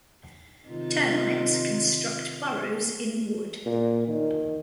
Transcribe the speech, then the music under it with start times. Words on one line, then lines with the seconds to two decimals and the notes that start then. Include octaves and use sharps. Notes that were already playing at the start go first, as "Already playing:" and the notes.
Termites construct burrows in wood.
0.69 C3 D#3 F4
3.65 A#2
4.08 D#3